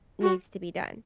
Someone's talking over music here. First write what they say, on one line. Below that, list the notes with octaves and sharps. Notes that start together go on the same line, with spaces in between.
needs to be done.
F#4